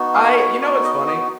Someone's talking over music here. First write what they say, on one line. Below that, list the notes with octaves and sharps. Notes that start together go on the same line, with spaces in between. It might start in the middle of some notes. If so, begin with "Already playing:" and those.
I you know what's funny?
Already playing: B3 D#4 F#4
F5
C#5
B3 D#4 F#4 D5
D#5
D#5